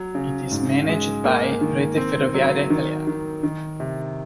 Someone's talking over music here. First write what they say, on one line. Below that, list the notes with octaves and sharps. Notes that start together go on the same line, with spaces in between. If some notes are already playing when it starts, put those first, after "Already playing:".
It is managed by Rete Ferroviaria Italiana.
Already playing: F#3
C#3
G#2
G#3
A#3
D#3
C4
F#3
D#3
D#3
D#3
C3